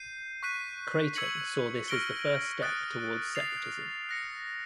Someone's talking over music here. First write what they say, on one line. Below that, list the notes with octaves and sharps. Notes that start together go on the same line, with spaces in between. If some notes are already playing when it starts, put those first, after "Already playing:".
Creighton saw this as the first steps towards separatism.
Already playing: G6 C7 D#7
C#6 F#6 B6 D#7
C#6 E6 G#6 C#7 F#7
C#6 F6 A#6 D7 G7
D#6 F#6 A6 D7
A6 C7 F7
F#6 A#6 C#7